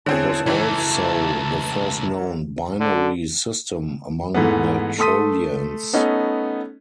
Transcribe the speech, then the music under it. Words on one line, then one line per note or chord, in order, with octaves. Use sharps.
It was also the first known binary system among the Trojans.
D3 C4 E4 G#4 C#5 A5
C#2 F#2 E3 A3
D3
G#2 E3 A3 B3
A3 A4 C6 D#6 B6 D#7
A3 B3 C#4 D#4 A4